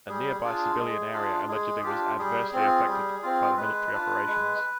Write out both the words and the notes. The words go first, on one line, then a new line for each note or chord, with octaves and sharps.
A nearby civilian area allegedly was adversely affected by the military operations.
G3 G#4
D4 F4
G#3
D4 F4
G#3 G#4
D4 F4 G4
G3 G#4
C4 F4
G3
C4 F4
G#3 B4
D4 F4
G#3